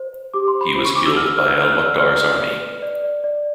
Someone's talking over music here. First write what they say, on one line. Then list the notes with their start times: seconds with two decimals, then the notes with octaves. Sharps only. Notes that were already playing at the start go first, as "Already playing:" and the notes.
He was killed by Al-Mukhtar's army.
Already playing: C5
0.13 C5
0.34 G4 D6
0.48 C6
0.55 C5
0.61 B5
0.75 C5 B5
0.85 C#6
0.96 D4 D6
1.06 E6
1.17 G4 F6
1.27 E6
1.37 C5 F6
1.48 E6
1.58 E4 F6
1.72 F#6
1.79 D5
1.86 E6
2.00 D5 F6
2.20 D5
2.41 F#4
2.61 B4
2.82 D5
3.03 D5
3.24 D5